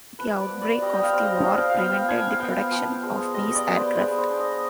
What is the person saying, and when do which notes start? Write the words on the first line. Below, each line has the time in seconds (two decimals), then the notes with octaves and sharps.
The outbreak of the war prevented the production of these aircraft.
0.19 F3 B4
0.41 D5
0.51 B3
0.62 D5
0.82 G3 D#5
0.93 G5
1.03 F5
1.13 C4
1.24 D#5
1.45 F3 F5
1.58 G5
1.70 F5
1.78 B3 G5
1.93 F5
2.08 F3 G#5
2.19 G5
2.30 F5
2.39 B3 G5
2.71 F3
3.03 G#3
3.34 G3 D#5
3.55 D5
3.67 B3
3.77 C5
3.98 B3 G#4
4.18 C5
4.30 D4
4.40 D#5